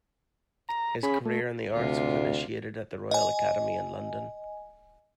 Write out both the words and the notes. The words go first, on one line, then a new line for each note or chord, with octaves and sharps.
His career in the arts was initiated at the Royal Academy in London.
A#5
C#4 G#4 B5
A3
D2 C3 D4 F4
D#5 G#5